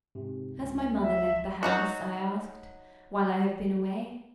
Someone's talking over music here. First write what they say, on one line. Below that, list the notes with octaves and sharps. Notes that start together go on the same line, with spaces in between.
"Has my mother left the house," I asked, "while I have been away?"
G#2 C3
C#2
E5
F#3 D#4 F#4